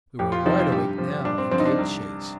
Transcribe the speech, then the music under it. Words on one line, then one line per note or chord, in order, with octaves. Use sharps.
We were wide awake now and gave chase.
F2 G4
F4
C3 F3 D#4
F4
G2 G4
F3
G2 D4
C4
D3 F3 C4
D#4
D4
C2